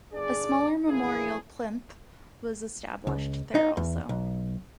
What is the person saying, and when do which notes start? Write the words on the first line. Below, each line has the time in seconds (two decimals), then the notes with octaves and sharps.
A smaller memorial plinth was established there also.
0.13 G1 D4 G#4 D5
0.88 A#1 E2 A2 A#3 E4 G#4
3.07 C#2
3.55 D#4
3.77 E2
4.09 B1